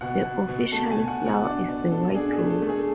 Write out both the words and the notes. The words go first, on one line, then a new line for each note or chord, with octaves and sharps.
The official flower is the white rose.
B2 F#5
B2
B2
A3 A5
G#5
B2
F#5
B2
F#5
D4 D5
B2
D4 A4
D4 G#4
G#4
A3
A4
A3
G#4